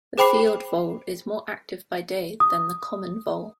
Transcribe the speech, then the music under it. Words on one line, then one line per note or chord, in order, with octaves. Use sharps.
The field vole is more active by day than the common vole.
G#4 C5 G5 B5 D6 C7
D#6